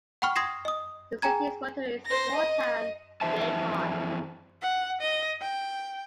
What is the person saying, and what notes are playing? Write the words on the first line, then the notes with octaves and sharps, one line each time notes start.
The city's motto is Small town; Big heart.
F#5 G5 B5 C#6 F6
C6 D#6 G#6 A#6 C7 E7
D#5 D#6
G#4 G5 G#5 A#5 G#6
C5 A#6
D#5
F2 G#2 E3 C5 E5 A5
F#5
D#5
G5